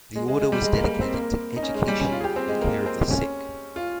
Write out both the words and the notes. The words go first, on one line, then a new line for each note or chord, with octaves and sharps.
The order was dedicated to education and care of the sick.
G#3
G#3
G#3
G3
G#3
A#3
A#3
C4
A#3
D#4
C#4
G#3
G3
C#4
F4
G#4
G4
C4
G#3
A#3
C4
C#4
F4